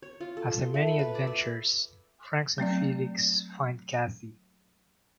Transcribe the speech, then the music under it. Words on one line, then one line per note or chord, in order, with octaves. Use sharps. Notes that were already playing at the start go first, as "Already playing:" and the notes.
After many adventures, Franx and Felix find Kathy.
C#5
F4
A4
C6
A3
B5
B4
D5
E5
F#3 A3 C4 D5